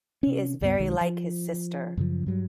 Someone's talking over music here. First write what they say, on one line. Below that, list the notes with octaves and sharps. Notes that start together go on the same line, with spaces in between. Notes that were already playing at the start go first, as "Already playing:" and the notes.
He is very like his sister.
C3 C#4
C#2 G2 B3
B1 D#3 G#3
F3
F#2 C#3 F3
G2 F#3 G3